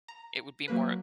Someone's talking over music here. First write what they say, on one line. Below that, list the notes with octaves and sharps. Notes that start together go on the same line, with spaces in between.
It would be more
A#5
F#3 A#3 B4